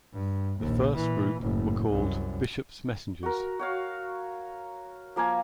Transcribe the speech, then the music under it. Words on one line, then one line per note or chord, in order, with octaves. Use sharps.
The first group were called "Bishop's Messengers".
G2
A#1 D#2
A#2 E3
F#1 A2
C2 F#2
F#4 A#4
F#4 C#5 F5
F3 A#3 A#4 G#5